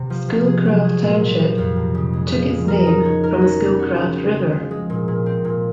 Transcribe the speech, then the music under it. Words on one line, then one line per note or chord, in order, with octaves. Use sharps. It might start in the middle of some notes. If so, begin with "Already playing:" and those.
Schoolcraft Township took its name from the Schoolcraft River.
Already playing: C3
F3
C3
G#4
F#3
G#4
A#2
C3
F3
F2
C3
C#3
G#3
F3
G#3
A#4
D#4
C#5
A#4
C#4
C#3
F#4
C#3
C4
G#3
F3
G#3
A#2
A#2
C4
A#2